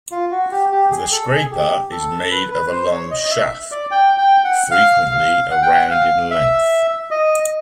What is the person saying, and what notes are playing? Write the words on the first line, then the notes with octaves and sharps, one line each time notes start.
The scraper is made of a long shaft, frequently around in length.
F4
F#4
G4
G4
G#4
A4
G#4
G4
A4
B4
B4
C5
C#5
D#5
E5
D5
G5
G5
F#5
F5
F5
F#5
G5
F#5
F5
E5
D#5